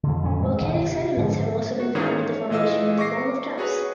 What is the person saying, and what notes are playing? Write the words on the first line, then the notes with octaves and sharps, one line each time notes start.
Volcanic sediments have also been found in the formation in the form of tuffs.
F2 D3
F2 A#2 C#4
G#2 E3 G3
G1 D#2 B2 D#3
C3
G#2 D3 F3
F#4
G#2 D#3 E3 C#4 G#4
C#5
A#2 E3 D#5 F5 E6
C#6 D6 A#6 C7
F#4 G#4 B4 C#5